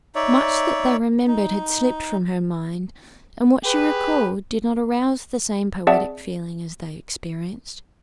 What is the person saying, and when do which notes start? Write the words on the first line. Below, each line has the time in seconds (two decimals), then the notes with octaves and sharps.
Much that they remembered had slipped from her mind, and what she recalled did not arouse the same poetic feeling as they experienced.
0.15 D#4 C#5 D5 E5
1.28 D#4
3.63 G4 G#4 B4
5.87 C4 G#4 D5 E5 F#5 A5